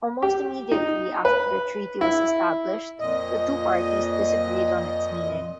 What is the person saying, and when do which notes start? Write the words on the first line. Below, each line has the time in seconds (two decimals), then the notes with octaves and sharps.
Almost immediately after the treaty was established, the two parties disagreed on its meaning.
0.22 G4
0.72 D#4
1.25 B4
2.01 E4
3.00 F2 A#2 D#5